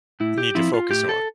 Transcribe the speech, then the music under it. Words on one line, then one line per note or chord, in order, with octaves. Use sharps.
need to focus on,
A2 E4
G4
F3 C4 E4
F4
A2 G4
A4